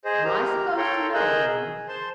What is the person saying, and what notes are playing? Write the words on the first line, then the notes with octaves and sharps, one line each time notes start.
"Am I supposed to know him?"
G#4 C5 D#5
G4 A#4 A#5
A4 C#5 G5 A#5 C6
G#4 A#4 D#5 E6 F#6 G6
G#4
C5 A5 C6